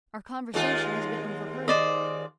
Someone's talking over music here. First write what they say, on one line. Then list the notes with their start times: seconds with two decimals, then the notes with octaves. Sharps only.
"Our conversation has been overheard."
0.54 D#2 G#3 F4
1.68 C5 D5 D#5